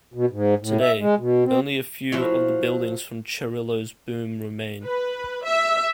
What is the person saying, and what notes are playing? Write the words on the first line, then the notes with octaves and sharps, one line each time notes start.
Today, only a few of the buildings from Cerrillo's boom remain.
B2
G#2
A2
E5
G#3
B2
C4
F3 F#3 E4
B4
E5